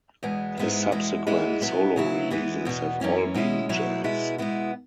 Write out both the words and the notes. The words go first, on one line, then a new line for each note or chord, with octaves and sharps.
His subsequent solo releases have all been jazz.
E2 B2 G#3 B3
G#2 G#3 B3 E4
E2 B2 G#3 E4
E2 E3 G#3 B3 E4
B2 F#3 B3 E4
C#3 F#3 B3 E4
E2 E3 G#3 B3 E4
E2 B2 B3
F#2 E3 C#4 E4
B2 G#3 C#4 E4
E2 B2 F#3 E4
B2 G#3 B3 E4
B2 G#3 B3 E4